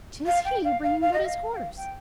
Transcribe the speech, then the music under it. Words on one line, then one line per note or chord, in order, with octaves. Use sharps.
'Tis he bringing but his horse!
F5
G5
F5
F5
F5
D#5
F5
G5
F5
G5